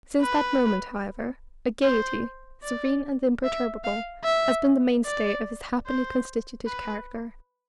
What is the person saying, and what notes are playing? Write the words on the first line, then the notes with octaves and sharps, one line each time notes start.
Since that moment, however, a gaiety, serene and imperturbable, has been the mainstay of his happily constituted character.
B4
C5
D5
E5
F5
E5
D5
C5
B4